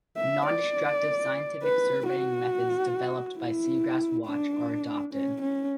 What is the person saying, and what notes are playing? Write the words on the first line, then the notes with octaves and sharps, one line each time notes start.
Non-destructive scientific surveying methods developed by Seagrass-Watch are adopted.
E5
D5
B4
F#4
E4
D4
C#4
C#4